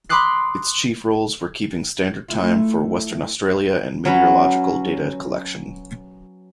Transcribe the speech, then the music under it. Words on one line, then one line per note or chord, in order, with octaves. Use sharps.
Its chief roles were keeping Standard Time for Western Australia and meteorological data collection.
B5 C6 D6 D#6 F#6 C7
A3 E4 F4
F#3 C#4 B4